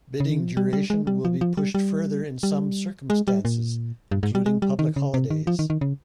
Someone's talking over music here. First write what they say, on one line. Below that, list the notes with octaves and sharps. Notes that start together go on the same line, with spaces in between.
Bidding duration will be pushed further in some circumstances, including public holidays.
C#3
D#3
F3
G3
G3
G#3
G3
F3
F3
G3
G3
G3
G#3
G3
A#2
G2
G#2
G3
G#3
G3
D#3
C#3
C3
D#3
F3
D#3
D#3
C#3